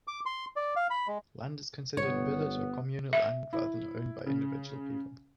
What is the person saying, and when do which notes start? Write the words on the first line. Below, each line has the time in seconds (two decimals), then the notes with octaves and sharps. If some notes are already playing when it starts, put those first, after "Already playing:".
Land is considered village or communal land rather than owned by individual people.
0.08 D6
0.26 C6
0.56 D5
0.76 F5
0.90 B5
1.07 G#3
1.97 G1 B3 C#5
3.13 E5
3.53 E4
4.26 C#3